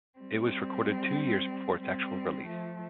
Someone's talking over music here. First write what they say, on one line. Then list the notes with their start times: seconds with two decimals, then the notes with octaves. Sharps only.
It was recorded two years before its actual release.
0.19 G3 C4
1.81 G3 C4
2.46 F3 A3